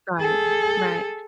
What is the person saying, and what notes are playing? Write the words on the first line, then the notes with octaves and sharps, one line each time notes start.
Right, right.
G#4 A4